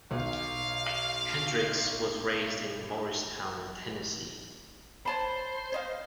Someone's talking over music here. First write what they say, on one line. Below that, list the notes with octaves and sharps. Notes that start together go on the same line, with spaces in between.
Hendrix was raised in Morristown, Tennessee.
B1 F5
C5 C#5 A5 B5
C#5 D#5 F5